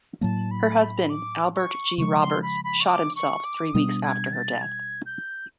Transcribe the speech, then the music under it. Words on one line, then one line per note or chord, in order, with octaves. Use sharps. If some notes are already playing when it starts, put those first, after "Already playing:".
Her husband, Albert G. Roberts, shot himself three weeks after her death.
A2 F#3 A#3 A5
B5
B5
D6
C#6
C#3 F3 G#3 C#6
C6
B5
B5
C#6
D6
C#6
D6
B2 G3 B3 D4 D#6
G#6
A6
G#6
G6